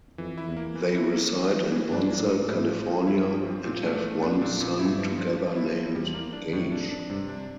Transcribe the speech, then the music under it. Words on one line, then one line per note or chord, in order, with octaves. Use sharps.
They reside in Bonsall, California, and have one son together named Gage.
F2 E3
E4
E2
A#3
E3
E4
A#3
E3
E3
E3
G2 D4
A#3
A2
A#3
A2 E4
F3
F3
G2 E4
F3
C4
A#2
A3
A3
F2 D4
A#2
A#2
G2 E4
F3
F3
F3
E4
F3
E2 G3
A#3
D4
F2 A2
D4
D4
G2 C3
D4